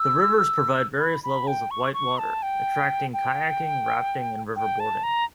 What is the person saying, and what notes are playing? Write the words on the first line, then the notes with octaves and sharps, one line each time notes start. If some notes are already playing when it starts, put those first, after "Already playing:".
The rivers provide various levels of white water, attracting kayaking, rafting and river boarding.
Already playing: E6
B5
B5
G5
C#6
C#6
A5
G5
G5
G5
A5
A#5